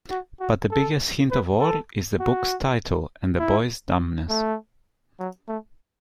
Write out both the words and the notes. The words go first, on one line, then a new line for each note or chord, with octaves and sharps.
But the biggest hint of all is the book's title and the boy's dumbness.
F#4
F#4
A4
B4
A4
F#4
E4
A3
F#3
A3